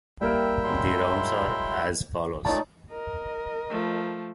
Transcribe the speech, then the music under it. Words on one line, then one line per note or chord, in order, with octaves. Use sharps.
The rounds are as follows.
G3 A#3 E4 A#4 E5 G5
F#3 G#3 C6
A#2 A3 D#4 C#5 D5 A5
A#4 D#5
F3 A3